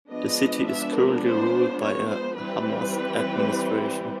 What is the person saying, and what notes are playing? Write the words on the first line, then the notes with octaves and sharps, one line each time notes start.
The city is currently ruled by a Hamas administration.
F3 G#3 B3 D4 D#5
E5
A#4
C5
C#5
C5
E3 G3 C4 B4